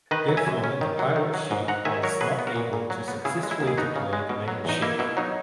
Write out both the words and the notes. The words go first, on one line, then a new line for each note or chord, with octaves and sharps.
Therefore the pilot chute was not able to successfully deploy the main chute.
D#3 B4 D#5
F#3
E5 G#5
F#2
C#4
D#3
F#3
D#3
F#3
G#2
G#2 F#5 A#5
D#3 E5 G#5
F#3 A#4 C#5
F#3 G#4 B4
B3
F#4 A#4
A#2
A#2
F#3
B3
C#3 E4 G#4
G#3
E4 G#4
D#2
G#4
B3 D#4 F#4
C#3
G#3
B2
F#3
E2 D#4
A#3 E4
B2 E4
F#3 D#4